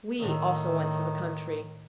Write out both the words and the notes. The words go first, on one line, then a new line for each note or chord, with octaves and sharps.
We also went to the country.
A2 D#3